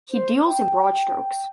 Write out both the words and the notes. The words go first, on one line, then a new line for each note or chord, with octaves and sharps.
He deals in broad strokes.
C5
G5
G5